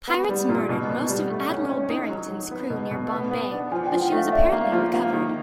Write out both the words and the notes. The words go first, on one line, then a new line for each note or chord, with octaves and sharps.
Pirates murdered most of "Admiral Barrington"s crew near Bombay, but she was apparently recovered.
B3 B5
G3
A#2
B2
B2
G3
A3
C#4
C#4
D#4
F#3
F#3
B3
B2
B2
B3
B3
D4
F3 G#5
G5
F3
F#5
A3
F5
D4 E5
A#3
F3
A#3
D#3